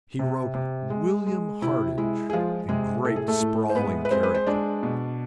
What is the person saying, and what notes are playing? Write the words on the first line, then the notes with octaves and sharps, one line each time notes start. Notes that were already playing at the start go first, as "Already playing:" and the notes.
He wrote "William Hardinge" in great sprawling characters.
C3
C3
G#3
G#3
C3 E4
G#3 E4
G#4
F3 G#3 F4
C3 G#3 G#4
A2 A4
G#4
A3 A4
A2
C5
G#3 B3 B4
B4
G#3 C4 C5
B4
C5
G#3 D4 D5
B2